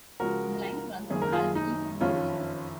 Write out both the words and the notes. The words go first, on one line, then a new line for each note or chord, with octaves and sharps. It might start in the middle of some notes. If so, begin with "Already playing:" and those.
The line runs from Albany to Mill City.
C#2 C#3 F3 G#3 F#4 A#4
F#1 F#2 D#3 A#3 G#4
A#4
F4 G#4
D#4
F#1 F2 D#3 C#4 F4